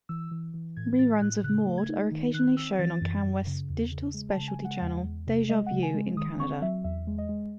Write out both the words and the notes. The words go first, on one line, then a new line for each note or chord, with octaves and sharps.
Reruns of "Maude" are occasionally shown on Canwest's digital specialty channel, DejaView in Canada.
E3 E6
E3
E3
A2 G#6
A2 A6
A2 F#6
C#3 F#6
A3
G#6
D#4
D#3
D#3 F#6
C4 E6
E3 A6
F#2
F#2
C#3
E2
C#3
G#3
A5
C#3
G#5
G#3 F#5
E2
E2
C3
G#3 D#5
F#5
C#3
G#5
G#3
D#3 D#6
C4 C#6
F#3 E5
E2 E5
G#3
D#5
G#3